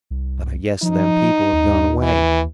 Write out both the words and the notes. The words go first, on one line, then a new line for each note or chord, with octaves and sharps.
But I guess them people have gone away.
C2
F3 D#4
D#2
E3